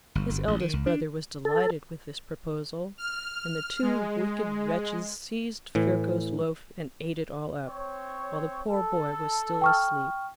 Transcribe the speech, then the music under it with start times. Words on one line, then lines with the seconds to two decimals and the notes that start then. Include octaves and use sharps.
His eldest brother was delighted with this proposal, and the two wicked wretches seized Ferko's loaf and ate it all up, while the poor boy was still asleep.
0.15 G1
0.30 G1
0.47 A1
0.60 D#3
0.73 C#2
0.86 D4
1.45 A4
2.98 F6
3.82 G#3
5.75 A2 E3
7.67 C4 C#5
8.68 A4
9.61 G5 C#6 F6